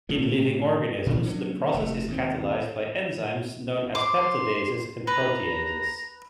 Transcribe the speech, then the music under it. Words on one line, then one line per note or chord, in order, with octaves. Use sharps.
In living organisms, the process is catalyzed by enzymes known as peptidases or proteases.
A2 D3 F3
A#2
D3 F#3 A#3 C#4
F1 A3
D#2 G#2 C4
C6 D6
B4 A#5